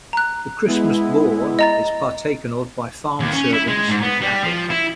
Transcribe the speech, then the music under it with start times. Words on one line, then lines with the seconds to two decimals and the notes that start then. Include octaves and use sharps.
The Christmas Boar is partaken of by farm-servants and cattle.
0.13 A#5 F#6
0.67 G#3 B3 E4
1.59 D#5 A#5 A6
3.20 D#2
3.32 C#4
3.53 E4
3.67 G#3
3.88 G#2
4.02 B3
4.21 G3
4.43 F3
4.70 E4